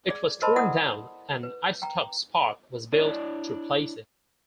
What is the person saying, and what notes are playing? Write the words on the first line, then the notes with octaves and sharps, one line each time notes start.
It was torn down and Isotopes Park was built to replace it.
G#4 D5
A#4 C5 D#5 A5 B5 C6
E4 A4 D5 F#5 D#6
B4
G5 A#5
D4 E4 C#5 D5